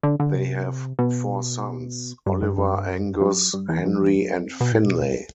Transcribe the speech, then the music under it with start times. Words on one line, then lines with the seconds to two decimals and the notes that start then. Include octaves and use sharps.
They have four sons: Oliver, Angus, Henry and Finley.
0.03 D3
0.20 D3
0.36 C3
0.99 B2
2.26 G2
2.34 F#2
2.42 G2
2.58 F#2
2.74 G2
2.90 F#2
3.05 G2
3.15 E2
3.21 F#2
3.53 G2
3.69 E2
3.85 F#2
4.01 E2
4.17 F#2
4.48 C3
4.60 B2
4.72 A2
4.85 B2